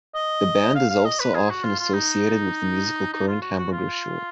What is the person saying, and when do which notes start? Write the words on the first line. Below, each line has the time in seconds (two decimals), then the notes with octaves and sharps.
The band is also often associated with the musical current Hamburger Schule.
0.15 D#5
0.75 F5
0.90 F5
1.05 D#5
1.20 B4
1.35 G#4
1.50 F#4
1.64 F4
1.79 F4
1.94 D#4
3.13 D#4
3.28 F4
3.42 F#4
3.58 F#4
3.73 F4